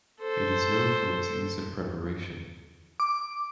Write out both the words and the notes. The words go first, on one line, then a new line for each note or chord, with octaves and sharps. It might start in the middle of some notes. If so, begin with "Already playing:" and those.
It is known for its ease of preparation.
A4 C5
D6